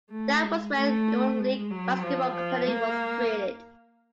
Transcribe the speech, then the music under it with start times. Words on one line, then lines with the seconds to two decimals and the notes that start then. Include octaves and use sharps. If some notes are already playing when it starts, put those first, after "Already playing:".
That was when Euroleague Basketball Company was created.
0.10 A3
0.43 G#3
0.75 A3
1.39 G#3
1.70 F#3
2.03 F3
2.35 F3
2.67 A#3